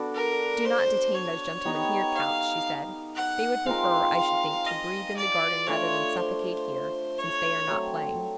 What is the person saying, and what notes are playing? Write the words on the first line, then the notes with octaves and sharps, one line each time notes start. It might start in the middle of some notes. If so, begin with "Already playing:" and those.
"Do not detain those gentlemen here, count," she said; "they would prefer, I should think, to breathe in the garden rather than suffocate here, since they are not playing."
Already playing: B3 D4 F#4 A4
A#4
C5
C#5
B3 D#4 G4
F5
F#5
G#3 C4 F4 A#4 F5
F5
D#5
D5
A3 D4 F4 C#5
C5
C#5
F#3 A3 C4